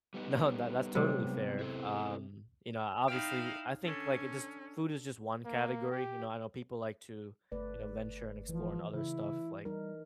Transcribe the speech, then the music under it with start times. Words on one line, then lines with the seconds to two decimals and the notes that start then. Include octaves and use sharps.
No, that that's totally fair. Um, you know, obviously, w I think, like, it just food is just one category. You know, I know people like to, you know, venture and explore in other stuff. Like,
0.14 G3 B3 D#4
0.95 C3 F#3 G#3
1.59 E4 A4 C5
3.08 D#4 E4 F5 G5
3.84 C#4 D4 A4
5.46 A#3
5.91 G4
7.52 G1 A3 B4 D5
8.49 E3 F3
8.93 C#3 E4
9.65 G3 D#4 A#4